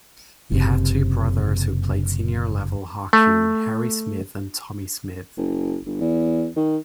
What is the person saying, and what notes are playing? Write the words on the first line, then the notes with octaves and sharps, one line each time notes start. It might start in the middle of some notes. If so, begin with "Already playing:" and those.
He had two brothers who played senior-level hockey Harry Smith and Tommy Smith.
F#1 C3
A3
F#1
G1
E2
D#3